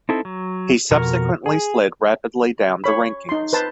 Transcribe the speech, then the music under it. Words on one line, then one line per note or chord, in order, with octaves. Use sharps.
He subsequently slid rapidly down the rankings.
C4 D#4 E4 A4
F#3
F2 B2 F#4 A#4
G#4
C#5 B5
D#4 C6
B4 C5 A5 C6